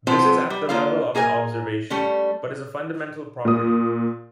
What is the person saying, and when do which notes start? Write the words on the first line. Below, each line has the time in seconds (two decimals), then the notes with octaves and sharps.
This is at the level of an observation, but is a fundamental property.
0.07 C3 F3 B3 C4 C5
0.50 G3
0.69 D3 A#3 F4 C5 F5
1.15 A#3 G#4 A#4 G#5
1.90 G3 A3 C#4
3.45 A#2 D#6